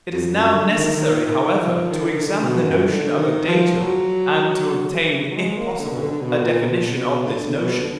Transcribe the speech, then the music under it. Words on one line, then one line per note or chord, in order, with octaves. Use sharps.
It is now necessary, however, to examine the notion of a "datum," and to obtain, if possible, a definition of this notion.
F2
F#2
D3
D#3
D#3
D#3
F3
D#3
D3
D#3
D3
B2
F#2
D3
D#3
F3
F#3
F#3
G#3
A#3
D3
B2
D3
D3
B2
A#2
B2
A#2
B2
D3
D3
B2
D3